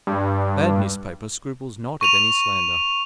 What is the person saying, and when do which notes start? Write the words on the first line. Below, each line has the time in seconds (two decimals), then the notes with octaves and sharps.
A bad newspaper scruples not at any slander.
0.07 G2
2.01 C#6 D#7 F7